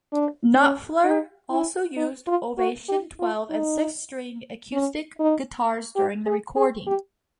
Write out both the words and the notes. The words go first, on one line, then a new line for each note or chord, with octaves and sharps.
Knopfler also used Ovation twelve- and six-string acoustic guitars during the recording.
D4
C#4
D#4
E4
D#4
F4
F#4
G4
F4
D#4
C#4
D#4
G4
G#4
G#4
G4